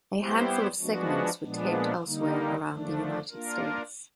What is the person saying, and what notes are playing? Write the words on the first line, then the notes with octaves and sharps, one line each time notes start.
A handful of segments were taped elsewhere around The United States.
G3 B3 E4 G4 C5
F3 G#3 B3 D4 F#4
A#2 F3 G#3 B3 D4
D3 G3 A#3 D#4
D3 F3 A3 D4
A#3 D4 F4 A#4